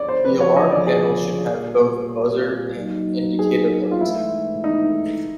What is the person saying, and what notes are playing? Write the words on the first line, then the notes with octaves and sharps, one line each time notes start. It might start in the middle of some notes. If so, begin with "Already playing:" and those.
The alarm panel should have both a buzzer and an indicator light.
Already playing: C#5 D5
C5
D2 C#3 F3 B4
C#5
D#5
D5
G#4
A#2 G3 A#3
F#3 A#3 D#4
G#4
F4
G#2 E3 A3 E4
D#4